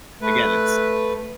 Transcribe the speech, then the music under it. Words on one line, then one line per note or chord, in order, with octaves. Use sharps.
again, it's
A3 B4